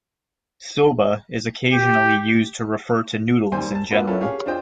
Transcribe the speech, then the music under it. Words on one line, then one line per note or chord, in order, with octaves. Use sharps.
"Soba" is occasionally used to refer to noodles in general.
G4
D#2 G3 C5 G5 G#5 C6
A5
A#3 D4 F4 F#4 B4
C#4 E4 F4 A4 A#4
G4 G#4 C#5 F5
D4 F4 C5 D#5 G5